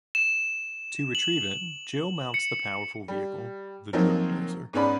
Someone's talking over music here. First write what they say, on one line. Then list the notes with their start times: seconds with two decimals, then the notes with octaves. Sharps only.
To retrieve it, Jill mounts the powerful vehicle, the Drill Dozer.
0.15 E7
1.15 F#7
2.34 C#7
3.08 G3
3.93 F3 F#3 A#3 C4 D#4
4.73 G#2 B3 C#4 D5 B5